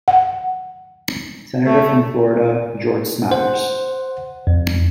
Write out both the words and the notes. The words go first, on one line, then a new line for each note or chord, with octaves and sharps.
Senator from Florida, George Smathers.
F#5
A3
C5 F#5
F2